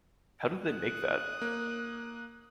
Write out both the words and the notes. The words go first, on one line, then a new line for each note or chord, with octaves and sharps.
How did they make that?
D#6 F#6
A#3